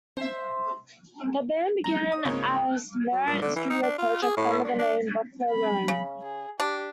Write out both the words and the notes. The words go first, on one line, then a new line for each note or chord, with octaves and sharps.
The band began as Merritt's studio project under the name Buffalo Rome.
C5 E5
A#5
D#6
C#2 G#2 A#3 C#5
F#3
A#2
D3
E3
D#4
D4
F4
G#4
A2
D4
D4
B5
C#3
G#4
D4 G4